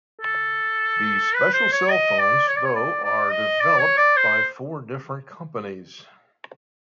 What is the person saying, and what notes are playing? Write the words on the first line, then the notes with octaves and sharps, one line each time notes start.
These special cellphones, though, are developed by four different companies.
A4
B4
C5
C#5
D#5
D5
C#5
D5
C#5
D5
D5
D#5
D5
C#5
D5
C5